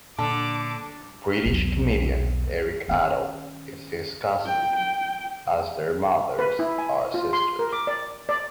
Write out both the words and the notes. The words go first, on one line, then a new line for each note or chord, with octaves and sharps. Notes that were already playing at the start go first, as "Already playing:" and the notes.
British comedian Eric Idle is his cousin, as their mothers are sisters.
A#2 D3 A4 D6
B1 E2
D#3 C#4
G5
G5
B4
E4
G#5
F4
C6
A#4
D6
D5
D5